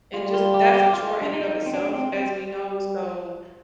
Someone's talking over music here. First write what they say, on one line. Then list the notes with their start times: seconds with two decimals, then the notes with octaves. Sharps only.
and just that's a chore in and of itself as we know, so,
0.13 G3 F4
0.34 F4
0.54 G4
0.74 G4
0.93 F4
1.22 D4
1.34 D#4
1.66 C4
1.73 D4
1.93 C4
2.13 C4
2.53 G3